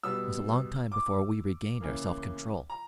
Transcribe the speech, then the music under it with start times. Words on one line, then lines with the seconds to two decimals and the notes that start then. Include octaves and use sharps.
It was a long time before we regained our self-control.
0.03 B2 G3 B3 E6
0.92 D6
1.81 C#3 E3 A#3
2.70 A#5